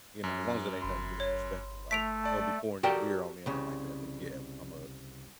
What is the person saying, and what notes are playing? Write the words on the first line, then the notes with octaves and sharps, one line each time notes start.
you know, as long as it ain't nothing disrespectful, like, don't be pouring your beer on me or nothing like that, then yeah, Imma
F#2
G1 B5 C6
C#5
A3 B6 D7 F7
D5 A5
F#4 G4 A4 A#4 D5 G5
C2 C#3